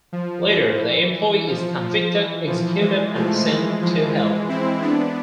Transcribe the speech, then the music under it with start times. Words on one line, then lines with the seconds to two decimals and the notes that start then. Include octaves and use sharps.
Later, the employee is convicted, executed, and sent to Hell.
0.12 F3
0.47 E3
1.47 F3
1.81 F3
2.14 E3
2.47 F3
2.81 E3 G#3
3.15 F3 A3
3.48 E3 G#3
3.82 F3
4.15 E3 G#3
4.49 C4 E4
4.82 B3 D4